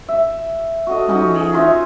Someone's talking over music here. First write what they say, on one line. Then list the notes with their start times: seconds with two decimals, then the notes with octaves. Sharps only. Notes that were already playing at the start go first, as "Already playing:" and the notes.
Oh, man.
0.09 E5
0.87 F#4 A4 D#5
1.08 C#4 D#4 F#4
1.34 G#4
1.53 D#4 F4 C5 E5